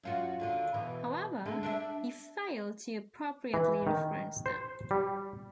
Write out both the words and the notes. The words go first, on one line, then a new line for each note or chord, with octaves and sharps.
However, he failed to appropriately reference them.
F#2 F4 F#4
D#2 D3 F4
B2 E3
D3 G#3 A3
D4 A4 E5
E3
D#3
C5
G3